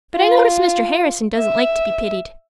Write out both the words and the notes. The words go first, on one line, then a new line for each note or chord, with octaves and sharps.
But I notice Mr. Harrison doesn't like to be pitied.
F4
E5